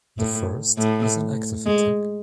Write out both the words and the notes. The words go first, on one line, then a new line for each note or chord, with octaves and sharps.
The first is an active attack.
A2
A2
G#3